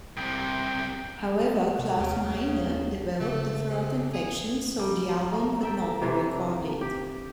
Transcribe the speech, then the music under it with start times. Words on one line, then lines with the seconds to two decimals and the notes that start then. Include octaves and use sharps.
However, Klaus Meine developed a throat infection, so the album could not be recorded.
0.16 C2 C3 G5
1.79 C3
2.00 D#2 C#3
3.20 C#3 A3
3.70 C3
4.13 G#4
4.79 G3 A#5
5.61 A4 E5 G5
6.02 C3 E3 D4
6.81 G4